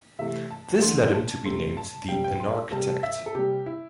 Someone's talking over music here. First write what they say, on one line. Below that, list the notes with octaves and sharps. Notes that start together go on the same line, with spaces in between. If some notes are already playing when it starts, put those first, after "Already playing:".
This led him to be nicknamed the "Anarchitecte".
C3 E3 A3 E5
A5
E2 D3 A3 C6
A5
C3 A3 C6
A5
C3 G3 G5
G5
C6
A5
C3 G3 A5
E5
A4
C3 G3 G4
E4